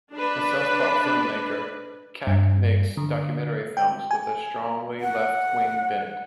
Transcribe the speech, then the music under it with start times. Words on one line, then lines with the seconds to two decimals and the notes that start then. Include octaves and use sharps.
A self-taught film-maker, Kak makes documentary films with a strongly left-wing bent.
0.13 D4 B4
2.27 G2
2.97 D3
3.77 G5
4.11 G#5
5.01 F#5